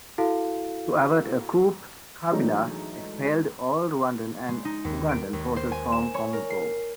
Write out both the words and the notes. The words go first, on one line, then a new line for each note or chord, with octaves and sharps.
To avert a coup, Kabila expelled all Rwandan and Ugandan forces from the Congo.
E4 F#4 A4 F5
E3 F#3 G#3 A3 D4 D#4
G#3
D#4
D#2
D7
D#2
C5
G#5
E7
C#5
A#4
C7